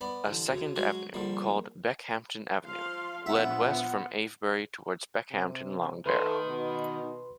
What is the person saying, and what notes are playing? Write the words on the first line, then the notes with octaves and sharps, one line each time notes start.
A second avenue, called Beckhampton Avenue led west from Avebury towards Beckhampton Long Barrow.
B3 D5 B5
A1 D3
D2 C#3
F#3 G#3 C#4 F#4
A#1 D3 G3 A#3
F3 F5 C6
A#1 B3 F4 E5 F#5
C3
D#3 A3 B4 C6
B2